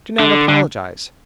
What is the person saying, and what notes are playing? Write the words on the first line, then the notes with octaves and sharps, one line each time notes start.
Do not apologize.
D3
D3